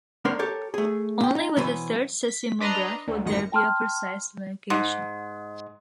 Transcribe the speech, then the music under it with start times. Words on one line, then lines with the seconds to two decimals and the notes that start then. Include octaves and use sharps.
Only with a third seismograph would there be a precise location.
0.25 A#3 D4 A#4 C5 C#5 F#5
0.39 G4 A4 A#4 C#5
0.74 A3 G#4
1.21 A#2 G5
1.36 D#4
1.57 B2 E3 F#3 B4 C5
2.28 B6
2.60 D4 B4 D#5 A#5 C6
3.07 D2
3.25 A1 F#2 D#3 A#6 C#7
3.52 G5 A5 C6 F6
4.70 G#2